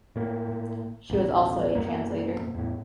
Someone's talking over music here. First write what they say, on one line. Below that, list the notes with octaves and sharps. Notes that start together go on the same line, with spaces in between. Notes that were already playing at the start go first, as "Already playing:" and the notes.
She was also a translator.
A2 A#3
A1 D2 B2
F#2 B2 A#3
E2 A2